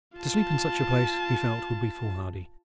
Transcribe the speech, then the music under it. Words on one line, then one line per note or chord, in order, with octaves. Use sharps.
To sleep in such a place, he felt, would be foolhardy.
F4 A5